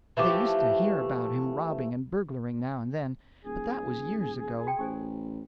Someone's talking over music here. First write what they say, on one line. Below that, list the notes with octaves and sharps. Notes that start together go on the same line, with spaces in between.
They used to hear about him robbing and burglaring now and then, but that was years ago.
E3 F3 A3 G4
D#1 G#4
F#4 G5 A5
A1 G4 C5 G#5